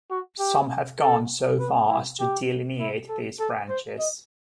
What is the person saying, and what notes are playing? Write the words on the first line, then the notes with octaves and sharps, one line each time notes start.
Some have gone so far as to delineate these branches.
F#4
G4
A4
B4
E4
G4
E4
A4
A4
C5
D#5